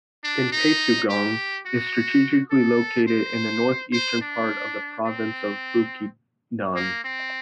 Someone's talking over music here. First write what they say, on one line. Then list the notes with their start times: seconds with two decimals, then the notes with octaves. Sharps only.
Impasugong is strategically located in the north-eastern part of the Province of Bukidnon.
0.24 D4
0.52 D#4
1.09 G4
1.66 F#4
2.51 A4
3.08 C5
3.92 C5
4.21 D4
5.06 C4
6.76 A#3
7.04 C4